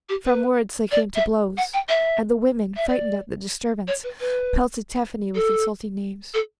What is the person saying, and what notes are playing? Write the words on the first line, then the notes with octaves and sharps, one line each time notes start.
From words they came to blows, and the women, frightened at the disturbance, pelted Tephany with insulting names.
G4
B4
D5
E5
F#5
G5
E5
E5
D5
C#5
B4
B4
A4
A4